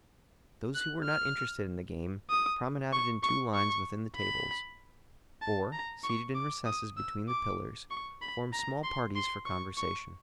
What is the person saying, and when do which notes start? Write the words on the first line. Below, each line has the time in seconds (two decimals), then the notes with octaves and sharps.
Those who were not interested in the game promenaded in two lines within the tables; or, seated in recesses between the pillars, formed small parties for conversation.
0.75 F#6
1.05 F6
2.30 D#6
2.93 C#6
3.23 C#6
3.54 C#6
4.17 B5
5.42 A5
5.73 A#5
6.04 C#6
6.35 D6
6.66 D#6
6.97 E6
7.29 D6
7.91 C#6
8.22 B5
8.53 A#5
8.84 C6
9.16 C6
9.46 C#6
9.77 C#6